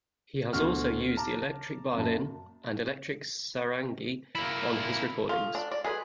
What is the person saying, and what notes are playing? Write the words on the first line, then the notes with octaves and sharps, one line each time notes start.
He has also used the electric violin and electric sarangi on his recordings.
D2 B2 D3 A3 F#4 F6
A5 A#5 D6
F#2 A#2 A5
A#3 E4
F4 A4 F5 C#6
D4
D5
F#4 G#4 A4 B4 D#5